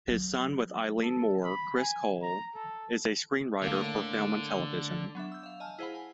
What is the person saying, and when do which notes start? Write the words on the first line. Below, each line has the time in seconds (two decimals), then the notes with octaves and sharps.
His son with Eileen Moore, Cris Cole, is a screenwriter for film and television.
0.08 F#3
1.02 A4
1.43 B5
1.77 G#5
2.22 A#5
2.55 A4
3.62 A2 D3 A#3
5.15 F#3 B3 D4 E5
5.32 E6 G6
5.43 E5 F5
5.60 D#5 G#5 A5 F6
5.79 E4 G#4 C5 F5 F#5 B5
5.95 G#5